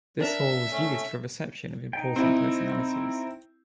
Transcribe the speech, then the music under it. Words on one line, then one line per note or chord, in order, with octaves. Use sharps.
This hall was used for reception of important personalities.
D4 A#4 E5
A3 C#4
D#4 G5
C4 E4